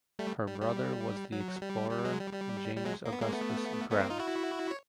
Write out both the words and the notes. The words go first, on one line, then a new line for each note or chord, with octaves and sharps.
Her brother was the explorer James Augustus Grant.
G3 A3
G3
G3
F#3
G3
G3
F#3 G#3
G3
G3
G3
F#3 G#3
A#3
B3
G#3 A#3
A3 B3
A3 B3
A#3 C4
D#4 F4
E4 F#4
C#5